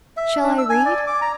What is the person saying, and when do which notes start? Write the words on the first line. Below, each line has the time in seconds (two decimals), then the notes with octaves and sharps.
Shall I read?
0.17 E5
0.44 D4
0.58 E6
0.70 G#5
0.85 D5
1.07 D6
1.21 A#5